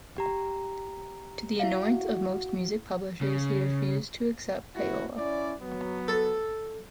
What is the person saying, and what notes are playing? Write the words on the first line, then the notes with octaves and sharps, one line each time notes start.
To the annoyance of most music publishers, he refused to accept payola.
G4 A#5
E4 F#4 E5 F5
C#3
G#3 E4 F#4
C#4 E4 D5
F#3 B3
A4